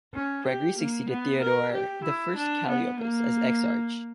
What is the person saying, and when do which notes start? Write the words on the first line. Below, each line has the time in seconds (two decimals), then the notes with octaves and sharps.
Gregory succeeded Theodore the First Calliopas as Exarch.
0.15 C#4
0.47 G4
0.79 A#3
1.09 B3
1.42 A#4
1.72 G4
2.04 E4
2.36 D4
2.68 B3
3.00 A#3